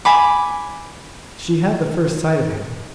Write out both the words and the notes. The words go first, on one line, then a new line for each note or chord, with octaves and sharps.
She had the first sight of him.
G#5 B5 D6